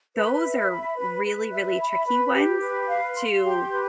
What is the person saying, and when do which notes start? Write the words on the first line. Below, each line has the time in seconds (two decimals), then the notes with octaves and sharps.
those are really, really tricky ones to
0.16 B4
0.43 E5
0.71 B5
0.97 B4
1.25 B4
1.52 E5
1.80 B5
2.07 B4
2.34 G4
2.61 B4
2.88 F5
3.16 C6
3.43 G4
3.70 B4